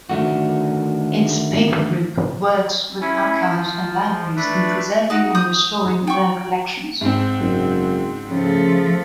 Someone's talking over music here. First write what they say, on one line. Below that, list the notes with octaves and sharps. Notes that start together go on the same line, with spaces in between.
Its Paper Group works with archives and libraries in preserving and restoring their collections.
D3 D#3 A3 F#4
C#4 E4
F3
A3 D4 B4
D#4 F#4
D#6 G6
G5 C#6
G#2 C4
F#1
C#3 F3 A3